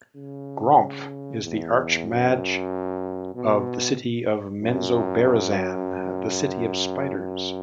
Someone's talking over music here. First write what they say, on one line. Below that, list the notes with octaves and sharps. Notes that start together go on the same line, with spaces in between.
Gromph is the Archmage of the city of Menzoberranzan, the City of Spiders.
C#3
E2
F#2
B2
F#2
F#2